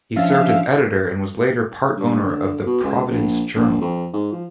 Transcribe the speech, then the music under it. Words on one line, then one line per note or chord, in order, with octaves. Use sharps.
He served as editor and was later part owner of the "Providence Journal".
F3 C#4 D4 E5 F5
G2
D3
B2
C#2
A#1
A#1
F2
G#2
F3